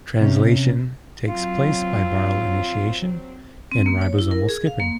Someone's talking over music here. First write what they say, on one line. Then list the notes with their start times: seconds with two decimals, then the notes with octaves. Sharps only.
Translation takes place by viral initiation, and ribosomal skipping.
0.21 C3 C#4
1.27 F#3 C4 F4
3.72 C4
3.86 A#3
4.01 C#5
4.19 E4
4.31 A#4
4.49 G#4
4.67 F5
4.80 A#3